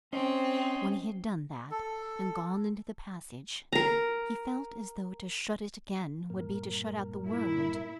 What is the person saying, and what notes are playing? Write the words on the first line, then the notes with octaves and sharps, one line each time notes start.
When he had done that, and gone into the passage, he felt as though to shut it again would be to shut out the world.
C4 C#4 C#5 D#5 C6
A4
A#4 A#5
G2 A#2 A#4
E4